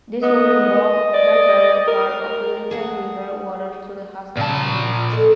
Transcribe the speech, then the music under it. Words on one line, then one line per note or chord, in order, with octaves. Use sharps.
This would involve diverting part of the Litani River water to the Hasbani River.
B3 D#5
D5
A#4
G#4 F#5 A5
A#2 C#3 D5 A5
A4 D5 D#5